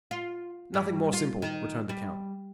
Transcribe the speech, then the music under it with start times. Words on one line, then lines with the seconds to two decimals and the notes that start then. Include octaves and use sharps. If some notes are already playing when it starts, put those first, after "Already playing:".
"Nothing more simple," returned the count.
0.11 F4
0.74 G2
1.13 F4
1.42 D#3
1.89 G3